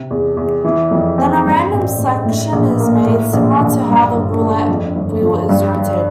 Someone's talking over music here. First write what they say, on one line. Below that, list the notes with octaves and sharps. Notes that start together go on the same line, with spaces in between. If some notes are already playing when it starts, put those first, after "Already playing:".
Then a random selection is made similar to how the roulette wheel is rotated.
Already playing: C3
E2
E2
E3
F2
C4
G2
A1
A1
A2
A#1
A#3
A2
A#1
A#1
G2
G1
A3
F2
G1
F3
G2
G1